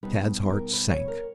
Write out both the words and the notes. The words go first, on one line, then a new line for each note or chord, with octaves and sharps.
Tad's heart sank.
B2 G3 B3 D#4 B4
A#4
B4
C#5
A#4